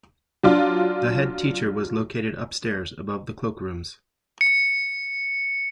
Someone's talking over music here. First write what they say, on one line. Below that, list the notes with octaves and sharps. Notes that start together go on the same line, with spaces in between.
The head teacher was located upstairs above the cloakrooms.
F#3 D4 F4
C#7